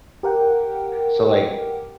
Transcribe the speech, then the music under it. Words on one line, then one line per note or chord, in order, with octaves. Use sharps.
so like
G4 A#4 F#5 G5